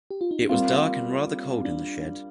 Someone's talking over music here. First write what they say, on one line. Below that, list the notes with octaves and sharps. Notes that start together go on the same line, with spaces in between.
It was dark and rather cold in the shed.
G4
F4
D#4
D4
G3 A#3 C4 F4
D4